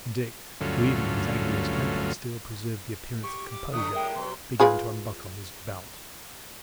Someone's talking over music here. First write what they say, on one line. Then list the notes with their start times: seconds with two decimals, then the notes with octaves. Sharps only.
And Dick, who, even in his angriest temper, still preserved the appearance of composure, began to unbuckle his belt.
0.61 D2 G2 F#3 A3 C#4 F4
3.23 G4 C#6
3.51 D6
3.72 D3 F#3 A3 D#6
3.92 A2 G3 G#3 A#4 E5 G5
4.15 B2 F#3 C6
4.60 F4 G#4 B4